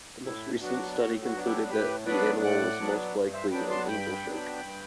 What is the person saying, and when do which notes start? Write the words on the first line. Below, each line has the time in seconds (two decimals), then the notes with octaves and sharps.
The most recent study concluded that the animal was most likely an angelshark.
0.24 A2 E4
0.61 F#3 B3 D4 F#4
0.97 A2 F#4
1.22 F#4
1.34 F#3 B3 D4
1.46 E4 G4
1.70 A2 G4 B4
2.06 F#3 B3 D4 B4 D5
2.42 A2 D5 F#5
2.79 F#3 B3 D4
3.15 G2
3.33 C5 E5
3.51 F#3 B3 D4 G5 B5
3.70 A5 C6
3.87 G2 G5 B5
4.24 F#3 B3 D4
4.61 G2